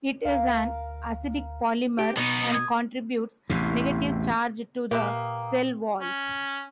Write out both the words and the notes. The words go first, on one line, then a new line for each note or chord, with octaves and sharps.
It is an acidic polymer and contributes negative charge to the cell wall.
D2 A#4 F5
G4
B2 B3 D#4
D#6 G#6
A1 E2 C3
A#2 A#3 G4 B4 E5 D#6
C#4